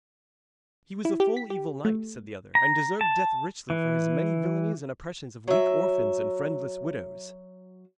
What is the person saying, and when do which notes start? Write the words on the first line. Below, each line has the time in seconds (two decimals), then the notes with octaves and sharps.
'He was a full evil knight,' said the other, 'and deserved death richly for his many villainies and oppressions of weak orphans and friendless widows.'
1.05 E4
1.20 G4
1.37 B6
1.50 G4
1.85 A3
2.55 A#5
3.01 A5
3.70 E3
5.48 F#3 E5